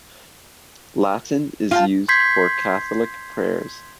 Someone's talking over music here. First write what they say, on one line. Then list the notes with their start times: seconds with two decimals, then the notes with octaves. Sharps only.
Latin is used for Catholic prayers.
1.71 F4 F5 G5 A5
2.08 C6 G6 G#6 B6 C7